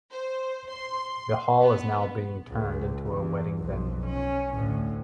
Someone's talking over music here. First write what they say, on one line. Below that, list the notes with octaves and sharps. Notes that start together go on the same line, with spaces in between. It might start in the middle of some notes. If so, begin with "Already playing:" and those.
The hall is now being turned into a wedding venue.
C5
C6
B3
C#2
E2
B1 F2
C#4
D2 A2